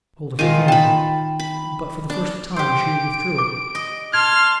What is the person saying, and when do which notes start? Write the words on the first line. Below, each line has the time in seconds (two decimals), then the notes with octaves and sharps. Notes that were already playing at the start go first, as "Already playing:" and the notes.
I got hold of her hand, but for the first time she withdrew it.
0.39 D#3 G#3 F4 D#7
0.68 G5 A5 B5
1.40 B5
2.10 D4
2.56 G4 C5 D7
3.38 D6
3.75 D#5
4.14 A5 C6 F6 G#6